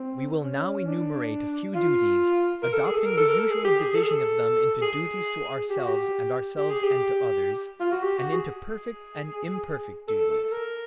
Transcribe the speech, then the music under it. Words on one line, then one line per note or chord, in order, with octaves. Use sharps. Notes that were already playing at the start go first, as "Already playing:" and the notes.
We will now enumerate a few duties, adopting the usual division of them into duties to ourselves and ourselves and to others, and into perfect and imperfect duties.
Already playing: C4
C#4
D4
F4
A#4
A4
G#4
A4
A#4
A4
A#4
A4
G#4
G4
G#4
A4
G#4
A4
G#4
G4
F#4
G4
G4
G#4
G4
F4
F#4
G4
F#4
G#4
A4
A4
A#4